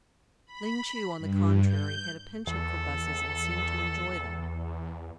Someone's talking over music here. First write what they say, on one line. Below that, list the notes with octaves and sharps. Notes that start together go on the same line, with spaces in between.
Ling Chu on the contrary had a penchant for buses and seemed to enjoy them.
B5
G2
G6
E2 A4